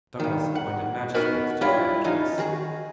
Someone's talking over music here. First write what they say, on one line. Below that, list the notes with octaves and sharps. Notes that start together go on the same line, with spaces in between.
Douglas appointed magistrates to try the case.
G2 D#3
F#5
B3 C#4 D#4 F#4 A#4 B4
G3 D4 E4 F4 C#5
E3 C#4 D#4 F4
D#3 F#4 G#4